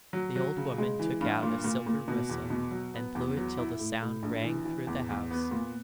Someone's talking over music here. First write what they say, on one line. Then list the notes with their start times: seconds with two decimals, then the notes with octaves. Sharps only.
The old woman took out a silver whistle and blew it till the sound rang through the house.
0.13 F#3
0.36 F#3
0.57 C#3
0.78 G#3
0.99 E3
1.21 G2
1.42 A#2
1.64 A#2
1.86 A#2
2.08 B2
2.29 E2
2.50 B2
2.71 F#3
2.94 B3
3.15 E2
3.37 F#3
3.58 E4
3.79 A2
4.01 A2
4.23 A#1
4.44 E3
4.65 E3
4.87 E2
5.09 E2
5.31 B3
5.51 A#2